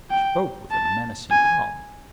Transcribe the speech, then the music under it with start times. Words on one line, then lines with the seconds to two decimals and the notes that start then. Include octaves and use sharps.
He spoke with a menacing calm.
0.11 G5
0.71 A5
1.31 G#5